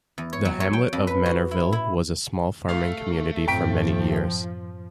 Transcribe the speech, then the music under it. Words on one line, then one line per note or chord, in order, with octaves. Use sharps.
The hamlet of Manorville was a small farming community for many years.
E2
C#5
F#3
C#5
G5
F2
B4
F#4
E4
E4
A3 F5
F#2 A2 F3 C4 G5 B6 D7